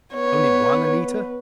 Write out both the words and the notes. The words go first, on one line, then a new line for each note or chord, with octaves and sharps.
"Only one, Anita?"
B3 B4 C#5